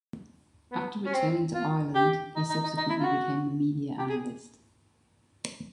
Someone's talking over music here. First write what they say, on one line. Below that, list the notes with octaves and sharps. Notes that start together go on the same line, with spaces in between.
After returning to Ireland, he subsequently became a media analyst.
B3
C#4
C4
F4
G4
D#4
D#4
D#4
D#4
E4
F4
F#4
G4
G#4